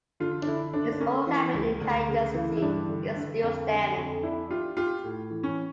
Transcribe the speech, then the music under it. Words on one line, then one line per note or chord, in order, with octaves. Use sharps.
His old cabin in Canyon City is still standing.
D3 F4
D4
D3 E4
D3 D4
D4
A#3 C#4
E3
C#2
D2
C#3
E3
E4
G2 D4
D3
D3
F2
D3
F2
D4 E4
F4 G4
F4 G4
A2
E3
C#4